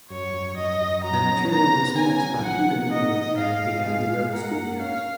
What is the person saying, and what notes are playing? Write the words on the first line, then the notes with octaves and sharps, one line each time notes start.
The material was mixed by Peter Mew at the Abbey Road studios.
F#2 C#5
F#2
F#2 D#5
F#2
F#3 A#5
C#4
B3 A#5
B3
C#3 G#5
F#3
F3 F#5
A#3
D#4 D#5
D#4
G#2 F5
G#2
G#3
G#3
A#4 F#5
A#3
C#4 F5